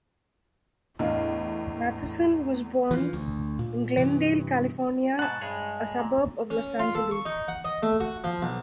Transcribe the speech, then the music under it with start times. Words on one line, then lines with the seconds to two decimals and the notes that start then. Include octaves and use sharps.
Matheson was born in Glendale, California, a suburb of Los Angeles.
0.99 E2 A2 D4 D#5 F5
2.91 E3 F3
3.13 D2
3.59 A#2
3.97 G2 C3 E3
5.19 G#2 B2 F#5 A5
5.41 G2 G#3 G#4 C#5
5.99 A#2
6.50 C#4
6.79 F4
6.95 A4
7.11 C#6
7.25 D#4
7.48 F#5
7.65 D#5
7.83 A3
8.00 F#4
8.24 F3
8.42 B1